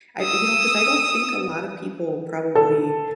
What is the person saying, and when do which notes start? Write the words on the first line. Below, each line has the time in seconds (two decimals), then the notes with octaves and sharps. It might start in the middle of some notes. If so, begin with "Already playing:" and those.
I you know, 'cause I don't think a lotta people probably
0.20 D#6 E6
2.55 A4